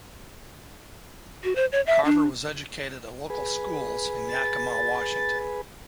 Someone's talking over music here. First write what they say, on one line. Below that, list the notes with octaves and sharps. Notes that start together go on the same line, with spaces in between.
Carver was educated at local schools in Yakima, Washington.
F#4
C5
C#5
E5
D4
G#4 B4
A6